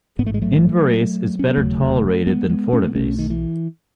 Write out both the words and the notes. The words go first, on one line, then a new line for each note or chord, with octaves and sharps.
Invirase is better tolerated than Fortovase.
A1 G#2 A3 B3
G#3
F#3 A3
C#4
B3
E1 D#2 C#3 F#3 A3
G#3 B3
G#3 B3
A3 C#4
B3
B1 B2 A3 C#4
D#3
E3